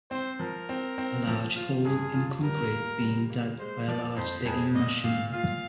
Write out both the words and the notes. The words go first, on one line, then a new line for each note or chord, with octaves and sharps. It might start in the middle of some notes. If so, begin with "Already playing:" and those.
A large hole in concrete being dug by a large digging machine.
C4 C5
F3 A#4
C4
C4
F3
F4
G2 G#4
F4
G3 A#4
A#3
G3
A#3
G#3 C5
F3 D5
F2 C5
F2 G#4
A#2 D#5
A#2 F5
F4 F5